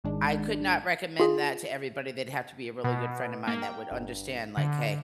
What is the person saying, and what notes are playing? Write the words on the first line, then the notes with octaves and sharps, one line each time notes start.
I could not recommend that to everybody, they'd have to be a really good friend of mine that would understand, like, "Hey.
G#1 D#3 G#3 D4
F4 G#4
B2
A#3
G5
G1
D3